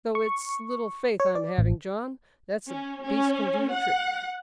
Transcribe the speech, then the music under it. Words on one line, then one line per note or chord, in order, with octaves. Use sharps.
"Though it's little faith I'm having, John, that the beast can do the trick."
C#6
C#5
D5
A1
C#4
C#4
F#5